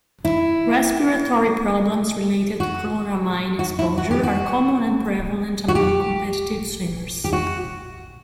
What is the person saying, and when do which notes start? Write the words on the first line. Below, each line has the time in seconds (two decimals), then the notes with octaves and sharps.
Respiratory problems related to chloramine exposure are common and prevalent among competitive swimmers.
0.25 E4
2.60 F#4
3.59 F#4
3.79 E4
3.98 F#4
4.11 G4
4.23 F#4
5.68 F#4
5.75 G4
7.24 G4
7.33 F#4